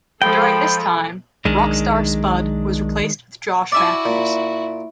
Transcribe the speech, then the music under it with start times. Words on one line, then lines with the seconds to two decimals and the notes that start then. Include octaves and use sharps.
During this time Rockstar Spud was replaced with Josh Mathews.
0.22 F3 G#3 A4 G5 B5
1.45 B1 D#3 G#3 D4
3.72 E4 F#4 D5 E5 G#5
4.05 A#2